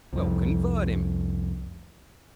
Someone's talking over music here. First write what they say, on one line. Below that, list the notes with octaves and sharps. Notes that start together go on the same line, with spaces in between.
We'll convert him!
C2 F2